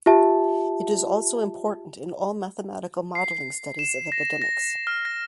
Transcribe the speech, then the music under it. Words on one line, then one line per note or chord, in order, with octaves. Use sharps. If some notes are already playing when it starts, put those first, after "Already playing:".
It is also important in all mathematical modelling studies of epidemics.
F4 G4 E5 A5
C7
E7
A#6
A#6
F6
A#6